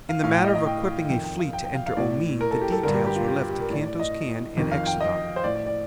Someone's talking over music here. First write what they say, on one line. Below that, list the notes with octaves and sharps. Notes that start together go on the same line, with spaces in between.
In the matter of equipping a fleet to enter Omean the details were left to Kantos Kan and Xodar.
F5
A2 F5
G5
D#5
D#5
G5
F2 D#3 G5
G5
F5
G5
G5
F5
F5
A2 D5
A#4
A4
G4
A4
G2 D3 A#4
G4
G4
F4
G4
G4
G4
A#4
A2 D5
D5
D#5
F2 D#3
F5
G5
D#5
C5
A2 D5
D5
D5